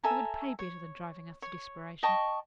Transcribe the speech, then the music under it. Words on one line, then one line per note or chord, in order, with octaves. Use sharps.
It would pay better than driving us to desperation.
A4 E5 G#5 A#5
C#5
C#5
D#5 G5 A5 C#6